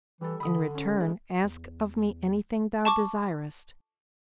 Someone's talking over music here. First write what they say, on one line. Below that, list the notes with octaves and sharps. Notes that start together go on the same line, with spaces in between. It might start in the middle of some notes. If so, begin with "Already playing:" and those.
In return, ask of me anything thou desirest.
E3 G3 A4
D3 B5 D#6
C#3 C#4
D2 G#3
E2
A5 C#6 D6